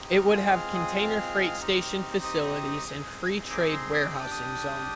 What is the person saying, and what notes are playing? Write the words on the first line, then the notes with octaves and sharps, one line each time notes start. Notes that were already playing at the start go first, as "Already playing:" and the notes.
It would have container freight station facilities and free trade warehousing zone.
Already playing: C4 D#4 G4
F6
G#3 C4 F4 G#4 D#6
F6
D#6
F6
C4 D#4 G4
D#6
C4 D#4 G#4
D6
C6
D6
D4 G4 D6 D#6
D#6